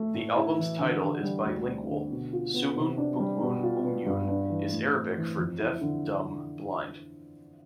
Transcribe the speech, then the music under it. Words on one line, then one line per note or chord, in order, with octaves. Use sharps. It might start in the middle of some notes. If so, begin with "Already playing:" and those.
The album's title is bilingual: "Summun Bukmun Umyun" is Arabic for "Deaf Dumb Blind".
Already playing: A3
A2
E4
E3
D3
D3
G3
D2
C4
D3
B2
F4
B3
C3
D4
G3
B2
F4
B3
G2
D4
E3
A2
C4
E3
F2
E4
D3